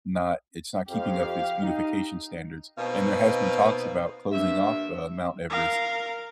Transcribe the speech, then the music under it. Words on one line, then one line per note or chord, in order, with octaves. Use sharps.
not it's not keeping up its beautification standards, and there has been talks about closing off, uh, Mount Everest,
F2 G4 F5
D#4
B2 A#3 C4 D#4 D#5 F5
G2 D3 A#3 E5
A#4 F5